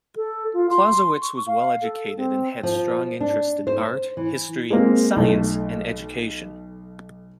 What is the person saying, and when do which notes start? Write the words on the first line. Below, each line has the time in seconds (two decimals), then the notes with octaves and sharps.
Clausewitz was well-educated and had strong interests in art, history, science, and education.
0.16 A4
0.54 F4
0.70 C6
1.22 C#6
1.47 F5
1.82 A4
2.17 C4
2.63 F3
3.21 D4
3.67 C5
4.17 E3
4.70 G#3 A#3 C4
5.16 B1 A3